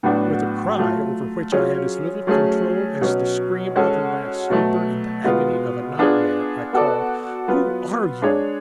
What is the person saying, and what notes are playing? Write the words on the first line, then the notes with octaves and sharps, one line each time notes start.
With a cry, over which I had as little control as the scream uttered by a sleeper in the agony of a nightmare, I called: "Who are you?"
A2 F#3 B3 D4 F#4
F#3 A3 F4
F#3 C#4 F4 G#4 C#5
F#3 A3 C#4 G#4
B2 F#3 C#4
G#3 C#4 F#4 A4
B2 F#3 A3
B2 G#3 B3 F4
B3 D4 F4 G#4
B3 F#4 A4 D5
F#3 B3 F4 B4
G#3 D4 G#4 C#5